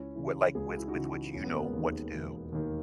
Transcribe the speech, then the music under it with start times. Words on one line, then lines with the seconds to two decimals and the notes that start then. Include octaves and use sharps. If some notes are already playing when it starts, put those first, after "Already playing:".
what, like, with with which you know what to do
Already playing: C#2 C#4 E4
0.15 C#3 E3
0.55 C#2 G#4
0.66 F#4
0.77 E4
0.88 D#4 F#4
0.94 C#3 E3
1.33 E1 C#4
1.44 B3
1.55 A#3
1.65 G#3 B3
1.73 D#2 D#3
2.13 E1
2.52 D#2 D#3